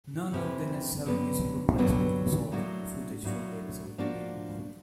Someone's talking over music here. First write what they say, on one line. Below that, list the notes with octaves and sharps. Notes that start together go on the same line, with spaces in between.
None of the necessary music replacements resulted in footage from the episodes being removed.
F2 C3 E3
G2 D3 F#3 B3
G2 D3 F#3 B3
A2 F#3 A#3 D4 F#4
A2 F#3 A#3 D4 F#4
F3 A#3 D4 F#4